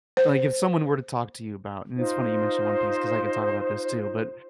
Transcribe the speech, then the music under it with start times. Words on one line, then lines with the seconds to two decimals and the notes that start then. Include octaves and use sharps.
Like, if someone were to talk to you about and it's funny you mentioned One Piece 'cause I can talk about this, too, but
0.17 C5
1.97 D#4 F4 C5